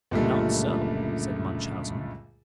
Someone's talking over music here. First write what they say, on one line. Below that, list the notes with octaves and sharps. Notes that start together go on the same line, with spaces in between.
"Not so," said Munchausen.
C#2 F#2 A#2 D3 G3 A3